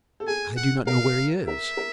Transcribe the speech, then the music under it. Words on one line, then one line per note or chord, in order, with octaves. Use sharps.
"I do not know where he is."
A4
G#4 G#5
F#5
A#4 F5
A#4 E5
A#4